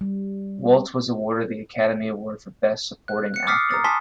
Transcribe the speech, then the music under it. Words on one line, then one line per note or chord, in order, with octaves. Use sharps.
Waltz was awarded the Academy Award for Best Supporting Actor.
G3
F#6
F#6 C#7
D6 D#6 F6 A6 B6 C7
A#5 D#6 A6
G#5 A5 C6 C#6 D#6 B6